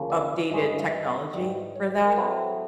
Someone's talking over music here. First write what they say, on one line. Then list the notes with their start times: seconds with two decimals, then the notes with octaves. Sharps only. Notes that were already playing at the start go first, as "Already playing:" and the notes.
updated technology for that.
Already playing: D2 C#3 F3 A#3 C#4
0.10 D5
0.51 G2 E3 G#3 C#4 D#5
0.66 D#5
0.79 E5
0.93 D#5
1.34 G#2 E3 G3
1.76 C#5
2.05 A#4
2.16 A2 F#3 A3 C4 B4